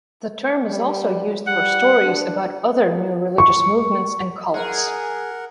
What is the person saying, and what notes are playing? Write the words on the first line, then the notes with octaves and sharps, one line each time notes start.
The term is also used for stories about other new religious movements and cults.
G3
G3 F#5
D4
C#6
G#4 A#4 F#5